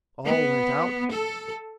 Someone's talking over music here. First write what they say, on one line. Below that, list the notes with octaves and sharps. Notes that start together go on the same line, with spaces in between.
All went out.
B3
A4